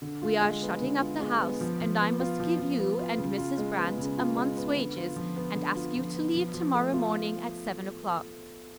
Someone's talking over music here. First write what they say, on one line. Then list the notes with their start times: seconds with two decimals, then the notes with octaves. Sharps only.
We are shutting up the house, and I must give you and Mrs. Brant a month's wages and ask you to leave to-morrow morning at seven o'clock.
0.02 D3
0.22 F4
0.41 G#3
0.62 B3
0.82 D3
1.01 F4
1.20 G#3
1.40 B3
1.61 F3
1.81 F3
2.00 B3
2.20 F4
2.40 F3
2.59 F3
2.79 B3
2.99 F4
3.18 C#3
3.38 F4
3.58 G#3
3.78 B3
3.98 C#3
4.17 F4
4.36 G#3
4.57 B3
4.76 D3
4.97 F4
5.16 F3
5.36 B3
5.55 D3
5.76 F4
5.95 F3
6.15 B3
6.35 F3
6.54 F3
6.74 A3
6.93 F4